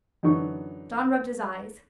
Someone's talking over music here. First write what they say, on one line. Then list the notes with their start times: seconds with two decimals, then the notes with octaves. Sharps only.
John rubbed his eyes.
0.23 F#2 D3 E3 D#4 C#6